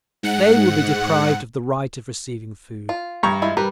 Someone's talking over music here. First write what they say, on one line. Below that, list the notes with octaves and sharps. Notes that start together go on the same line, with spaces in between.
They will be deprived of the right of receiving food.
G#2 F#5
F4
G2 A#5 C#6
G#3 E4 F4
G3 A#4 B4